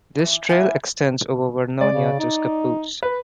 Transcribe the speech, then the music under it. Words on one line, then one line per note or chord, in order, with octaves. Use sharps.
This trail extends over Vernonia to Scappoose.
E3
A#3 E4 E5 F#5 G#5
G#3 D5
C#3
D#4
B4